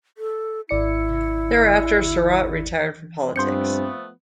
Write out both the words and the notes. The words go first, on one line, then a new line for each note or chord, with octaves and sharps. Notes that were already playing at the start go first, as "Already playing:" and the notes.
Thereafter Sarraut retired from politics.
A4
G#1 E4 D5 C#7
G2 F3 A3 B3 C4 C6 G6 C#7